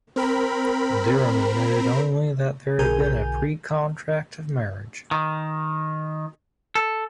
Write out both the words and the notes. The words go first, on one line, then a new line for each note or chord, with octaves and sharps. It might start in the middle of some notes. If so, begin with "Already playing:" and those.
Dereham admitted only that there had been a pre-contract of marriage.
C4 A#4 B5
B1 D3 G#4 A#4 G#5 G6
D#3
A4